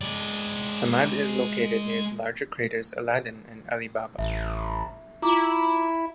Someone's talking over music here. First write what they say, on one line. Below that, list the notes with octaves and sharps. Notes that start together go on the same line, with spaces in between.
Samad is located near the larger craters Aladdin and Ali Baba.
G#3 D5
A1 E5
E4 F4 A#5 D6